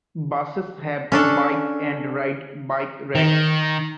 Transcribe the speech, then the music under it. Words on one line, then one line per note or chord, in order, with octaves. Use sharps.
Buses have "Bike and Ride" bike racks.
C#4 D4 A4
D#3